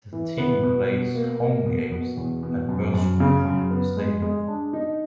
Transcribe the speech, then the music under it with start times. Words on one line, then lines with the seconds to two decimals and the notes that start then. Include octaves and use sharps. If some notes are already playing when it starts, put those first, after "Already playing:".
The team plays home games at Birchmount Stadium.
0.13 E3
0.38 B3
0.63 B2
0.89 B2
1.15 A#3
1.41 A#3
1.66 B2
1.92 B2
2.17 E2
2.43 B2
2.69 F#2
2.94 F#2
3.20 C#3
3.45 F#2
3.71 B3
3.97 G#3
4.22 G#3
4.48 D4
4.73 D#4